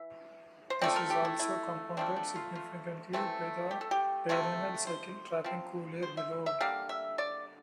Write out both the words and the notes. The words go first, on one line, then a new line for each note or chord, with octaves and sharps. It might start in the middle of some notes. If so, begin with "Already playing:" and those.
This is also compounded significantly by the diurnal cycle, trapping cool air below.
Already playing: E3 E5
C5
F3 A3 C4 D5
A#4
G4
E4
E4
F3 A3 C4 D4
D4
F4
F4
E3 A3 C4
G4
A4
G4
C3 F3 A3 C4
C5
F3 C4
C5
E5
E5
D3 G3 A#3 F5
E5
D5